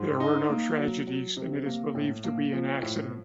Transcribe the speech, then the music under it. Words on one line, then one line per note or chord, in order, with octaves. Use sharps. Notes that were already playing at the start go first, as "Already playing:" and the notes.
There were no tragedies and it is believed to be an accident.
Already playing: G#2
D#4
A#3
F#3
F#3
C3
A#3
A2
A#3
F3
A2